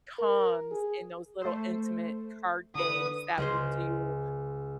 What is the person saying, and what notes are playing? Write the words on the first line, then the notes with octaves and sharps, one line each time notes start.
comes in those little intimate card games that we do
A#4
G#4
A3 C5
D3 B4 D#6
C#2 G#4 C5